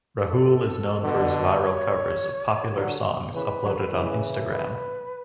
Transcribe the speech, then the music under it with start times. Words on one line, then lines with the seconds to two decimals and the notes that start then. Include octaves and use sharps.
Rahul is known for his viral covers of popular songs uploaded on Instagram.
0.16 A4
1.02 B2 D3
1.60 C#5
2.76 D3 F#3
3.34 C#3 E3 B4
3.63 D3 F#3
3.91 C#3 E3
4.38 A4
4.48 B4